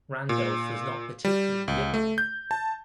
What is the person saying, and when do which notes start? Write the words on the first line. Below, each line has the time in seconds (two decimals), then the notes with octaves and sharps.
Randolph was not particularly liberal.
0.29 A#2
1.25 G3
1.68 C#2
1.94 A3
2.18 G6
2.51 A5